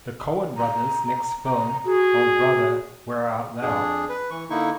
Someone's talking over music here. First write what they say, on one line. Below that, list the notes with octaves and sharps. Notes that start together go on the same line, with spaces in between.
The Coen brothers' next film, O Brother, Where Art Thou?
A#5
A#5
F#4 G#4
F2 D4 G#4
B4
E3 C#6
D3 A#3 D#4 E4 C#6